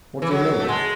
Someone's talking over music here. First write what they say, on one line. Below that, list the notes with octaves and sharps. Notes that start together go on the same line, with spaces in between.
"What do you mean?"
E3
F#3
A3
G#3